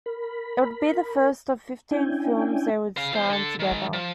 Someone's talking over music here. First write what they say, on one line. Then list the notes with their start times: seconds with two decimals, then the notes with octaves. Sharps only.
It would be the first of fifteen films they would star in together.
0.06 A#4 B5
1.91 C#4 D4 E4 G5 G#5
2.97 C#3 F5
3.13 E2 C5
3.30 D3 A4
3.59 D#3 G#3
3.93 F3